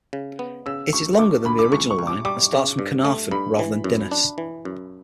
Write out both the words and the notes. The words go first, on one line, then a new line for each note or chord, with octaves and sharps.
It is longer than the original line and starts from Caernarfon rather than Dinas.
C#3
B3
C#3 E6
D2 C#6
D2 D6
D2 B5
D6
C#2 C#6
C#6
C#2
D6
G3 D6
C#3
G2
A3
G2 B5
E3
F#2
D4
E3
F#2